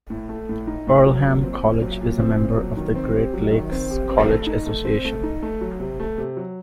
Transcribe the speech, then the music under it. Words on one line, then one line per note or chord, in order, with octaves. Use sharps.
Earlham College is a member of the Great Lakes Colleges Association.
A2
A3
A2
D#4
A2
F#3
A#2
C4
A#2
F#3
A#2
C4
A#2
F#3
D#3
C4
G4
F#3
D#3
C4
G4
C4
A3
D#4
A3
C4
A3
D#4
A3
F#3
C3
A3
C3
F#3